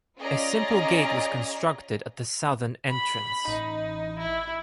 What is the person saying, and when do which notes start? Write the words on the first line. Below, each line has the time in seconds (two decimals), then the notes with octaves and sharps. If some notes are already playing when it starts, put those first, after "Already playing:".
A simple gate was constructed at the southern entrance.
0.19 C#4 F4 G#4 D5 D#5 A#5
2.90 B5
3.48 A1 D#4
4.19 E4